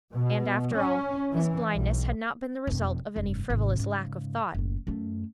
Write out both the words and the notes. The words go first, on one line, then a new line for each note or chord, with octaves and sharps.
And, after all, his blindness had not been the result of any frivolous lack of thought.
B2
C#4
E3
B1
E1 F2
F1 G2
G#1 C3
G#2 C#3
F#1 A2
F#2 A3